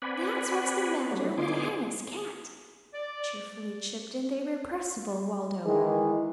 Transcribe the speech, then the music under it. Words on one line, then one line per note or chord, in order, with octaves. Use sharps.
"That's what's the matter with Hannah's cat!" cheerfully chipped in the irrepressible Waldo.
C4 B4 D5 F#5 G#5 B5
F#3 G3 A3 C#4 D4
D3 B3 D#4 G#5 C6 D6
D5
D#3 E3 G#3 G#4